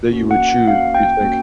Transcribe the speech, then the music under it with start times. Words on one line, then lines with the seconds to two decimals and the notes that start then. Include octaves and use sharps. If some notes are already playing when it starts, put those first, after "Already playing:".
that you would choose, do you think?
0.12 A#3 C#4 F#4
0.31 F#5
0.49 F#5
0.68 A#3 C#4 F#4 F5
0.95 G5
1.22 A#3 C#4 F#4